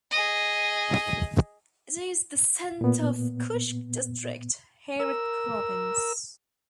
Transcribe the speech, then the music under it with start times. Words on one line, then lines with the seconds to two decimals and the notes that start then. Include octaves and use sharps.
It is the center of Kushk District, Herat Province.
0.11 G#4 D#5
2.81 A#2 B3
5.00 A#4 E6